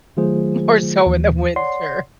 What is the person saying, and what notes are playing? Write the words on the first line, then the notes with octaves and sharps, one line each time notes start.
more so in the winter.
D#3 F#3 A3 F4 G#4 C5
D#2 E3
C#5 D5 F#5 C6 C7